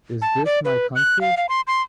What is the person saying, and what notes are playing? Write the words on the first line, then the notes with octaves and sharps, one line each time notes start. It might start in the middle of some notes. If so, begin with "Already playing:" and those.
Is This My Country?
A5
D5
B4
F#6
F5
F5
C6
C6